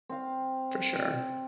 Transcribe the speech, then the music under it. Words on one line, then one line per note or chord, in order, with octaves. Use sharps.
For sure.
C4 F5